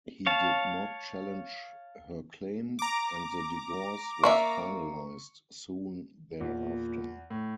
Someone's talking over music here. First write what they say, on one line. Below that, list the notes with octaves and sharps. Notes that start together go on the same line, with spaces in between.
He did not challenge her claim, and the divorce was finalized soon thereafter.
C#5 F5 A5
A#5 D6
A#3 D5 E5 C#6
E2 A#2
A2